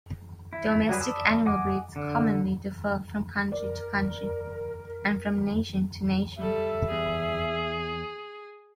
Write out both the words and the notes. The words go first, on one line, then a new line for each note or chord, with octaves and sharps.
Domestic animal breeds commonly differ from country to country, and from nation to nation.
E4
F#3 G3 G#4 B4
D5 A5 B5 D#6 E6
D#5 F#5 G#5 D6
D3
A#4 D5
G3 A4 E5
E2 G#4